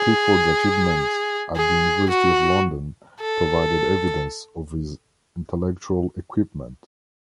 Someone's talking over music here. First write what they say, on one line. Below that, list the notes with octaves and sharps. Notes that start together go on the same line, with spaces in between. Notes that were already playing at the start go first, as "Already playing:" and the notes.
Clifford's achievements at the University of London provided evidence of his intellectual equipment.
Already playing: G#4
G#4
F#4
A4